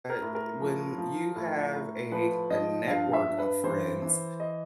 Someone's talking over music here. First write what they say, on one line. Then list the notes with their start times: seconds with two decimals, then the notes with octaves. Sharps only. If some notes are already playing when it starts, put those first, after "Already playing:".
eh, when you have a a network of friends,
0.09 A#4
0.22 A2
0.35 A#4
0.61 F3
0.98 F3
1.36 A2
1.74 A2
2.12 F3 B4
2.50 F3 D#5
2.88 G2 F5
3.13 E5
3.26 G2
3.38 B4
3.64 E3 C5
4.02 E3
4.40 D#5